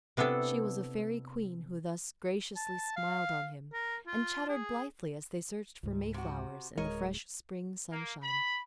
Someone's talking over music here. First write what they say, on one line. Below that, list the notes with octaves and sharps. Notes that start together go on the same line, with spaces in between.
She was a fairy queen who thus graciously smiled on him and chattered blithely as they searched for mayflowers in the fresh spring sunshine.
C3 B3 D4 E4 A4
A5
F5
A#4
F4
G#4
C#2 G#2
C3 F#4
D1 G#3 A#4 C#5 D#5
A#3
B5